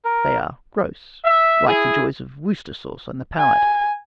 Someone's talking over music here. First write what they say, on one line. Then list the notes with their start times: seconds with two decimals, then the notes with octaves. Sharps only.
They are gross, like the joy of Worcester sauce on the palate.
0.05 A#4
1.25 E5
1.66 E4 G#4
3.39 G#5